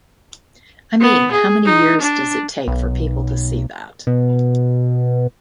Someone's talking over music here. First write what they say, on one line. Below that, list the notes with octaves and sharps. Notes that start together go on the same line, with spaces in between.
I mean how many years does it take for people to see that?
B3
G#4
D#4
D4
B1
B2